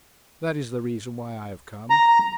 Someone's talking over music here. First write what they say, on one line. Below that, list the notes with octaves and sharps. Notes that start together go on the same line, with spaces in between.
That is the reason why I have come.
A#5